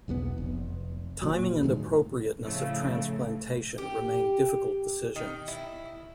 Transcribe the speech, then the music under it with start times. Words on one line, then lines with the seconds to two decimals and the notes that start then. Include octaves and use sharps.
Timing and appropriateness of transplantation remain difficult decisions.
0.08 B1 E2 E3 B3
0.38 F1
1.22 A#2 F#3
1.63 A2 D#3 G3 G#3
2.42 A2 C#3 F3 A3
3.78 G4
5.16 D#3
5.48 E4